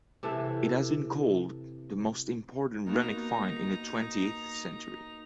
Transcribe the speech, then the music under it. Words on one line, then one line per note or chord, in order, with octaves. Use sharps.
It has been called the most important runic find in the twentieth century.
C3 E3 A4 E5
A#3 B3 D#4 F#4 A#5